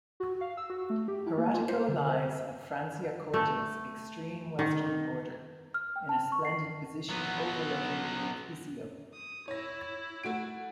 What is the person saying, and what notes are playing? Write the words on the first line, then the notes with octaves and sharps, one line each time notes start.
Paratico lies at Franciacorta's extreme western border, in a splendid position overlooking Lake Iseo.
F#4
F5
E6
F#4
A3
G4
E4
A#3
F4
C5
D3
C5
A3
D#3
F6
G5
A5
C#6
C7
F#3 B3
D#6
E4 C#5 A#6
A3 F#4 D7